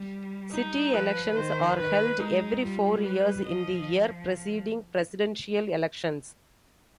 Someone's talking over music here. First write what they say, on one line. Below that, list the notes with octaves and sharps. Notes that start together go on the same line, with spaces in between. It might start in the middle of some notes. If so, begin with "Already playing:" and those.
City elections are held every four years in the year preceding presidential elections.
Already playing: G3
D#4
F3 B4
D#3 C5
D#3 B4
G#3 D#4
G3 F4
B4
F3 D#5